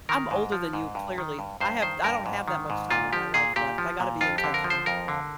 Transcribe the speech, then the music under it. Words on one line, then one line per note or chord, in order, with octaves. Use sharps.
I'm older than you, clearly. I have I don't have that much time in my life left. I gotta be intentional.
D#3 A#4
G#2
F3
G#2
G2
D#3
G2
G2 C5
D#3 C5
G2 A#4
G#2
D#3
G#2
A#2 F4
F3 G4
A#2 G#4
A#2 G4
F3
A#2
F2 F4
G4
D3
A#4
F3
C5
F2 A#4
D3